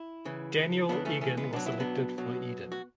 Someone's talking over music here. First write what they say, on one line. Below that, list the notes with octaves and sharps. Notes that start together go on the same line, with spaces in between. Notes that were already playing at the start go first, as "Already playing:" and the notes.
Daniel Egan was elected for Eden.
Already playing: E4
C#3 E3
C#3 E3 B3 D4
A3 C#4
A3 C#4
G#3 B3
B2 F#3 D4
E4
B3 D4
B2 F#3
F#4